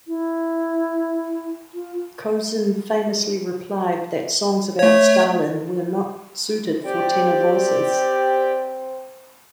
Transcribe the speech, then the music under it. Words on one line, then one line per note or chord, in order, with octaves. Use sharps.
Kozin famously replied that songs about Stalin were not suited for tenor voices.
E4
F4
A3 C#5
C4 G4 D5 G5